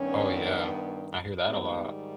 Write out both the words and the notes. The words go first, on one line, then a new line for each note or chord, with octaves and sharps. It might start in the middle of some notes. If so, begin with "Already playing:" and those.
Oh, yeah. I hear that a lot.
Already playing: G2 D#3 G3 B3 C#4
G#2 D#3 G3 B3 C4